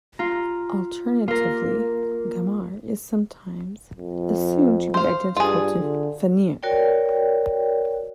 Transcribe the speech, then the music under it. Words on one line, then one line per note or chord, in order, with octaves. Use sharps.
Alternatively, Garmr is sometimes assumed to be identical to Fenrir.
F4 A#5
A#3 F4 A#4
F2
C5 F5
G2 F4 G#4
D3
F#4 A#4 C#5 D5 G5